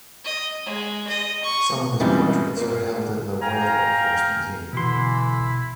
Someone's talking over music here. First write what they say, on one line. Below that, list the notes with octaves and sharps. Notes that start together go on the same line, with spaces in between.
Some of his portraits are held in the Royal Air Force Museum.
D#5
G#3
D#5
C#6
E2 A#2 C#3 G3 G#3 C4
A#2 A#3
F5 G5 G#5 A#5
B2 D3 E3 E4 C6